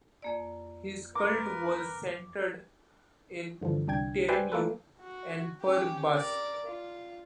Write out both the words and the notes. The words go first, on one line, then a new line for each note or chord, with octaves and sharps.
His cult was centred in Taremu and Per-Bast.
F2 A#3 D5
A#4 B4 D6
G2 D3 E3 F3
C2 D4 G5 G#6
B4 C5 D5 E5 G5 G#5
A3 A#3 F4 A4 B4
F#4
C#4 G4
A#4 D5
F4